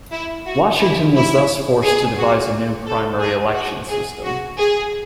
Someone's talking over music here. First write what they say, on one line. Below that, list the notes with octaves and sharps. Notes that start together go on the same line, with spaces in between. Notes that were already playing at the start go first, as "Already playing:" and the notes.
Washington was thus forced to devise a new primary election system.
E4
F#4
E4
E4
G#4
F#4
A4
G#4
F#4
G#4
F#4
G#4